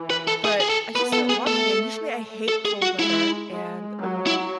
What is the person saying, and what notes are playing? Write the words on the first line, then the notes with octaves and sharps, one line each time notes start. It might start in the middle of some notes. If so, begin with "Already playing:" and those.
but I just started walking, and usually I hate cold weather, and, um,
Already playing: E3
B4
A4
G#4
G#4
A4
B3 B4
A4
G#4
A3 A4
A4
G#4
F#4
G#3 E4
G#3
F#3
E4